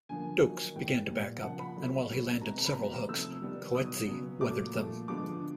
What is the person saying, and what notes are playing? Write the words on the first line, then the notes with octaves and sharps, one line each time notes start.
Dokes began to back up, and while he landed several hooks, Coetzee weathered them.
D3 F3 A#3 G#5
D#3 F#3 A#3
A2 E3 G#3 B3 G5
A#2 G3 B3
C#3 F3 A#3 F#5
B5
D#3 F#3 A3
B2 F#3 A#3
C3 D#3 G#3 B3 A#5
A#5
B5
D#3 F#3 B3 A#5
C3 F3 A3 E6
D#3 G3 B3
B2 F#3 B3 D#6
C#3 F#3 B3
A#2 F#3 A3 D6
A#2 F3 A3
D3 F3 G#3 B3 D6
D3